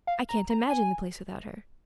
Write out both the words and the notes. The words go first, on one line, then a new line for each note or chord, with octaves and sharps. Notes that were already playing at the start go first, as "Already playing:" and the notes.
I can't imagine the place without her.
F5
A#5
A#5
G#5